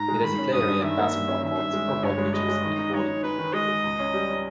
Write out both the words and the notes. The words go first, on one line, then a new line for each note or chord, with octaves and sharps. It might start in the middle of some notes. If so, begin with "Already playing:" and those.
It has a play area, basketball courts, football pitches and a bowling green.
Already playing: G#2 A#5
G#3
D#3 B5
C#4
G2 D#6
G2
D#3 E5
A#3
G2
C#4
D#3 E5
G2
G#3
G1
G2 C#5
G#3
G#3 D#5
G#3
D#3
D#4
D#4 C#5
D#4
D#4 B4
D#3
G#3 D#5
G#3
C#2
C#4
G3
C#4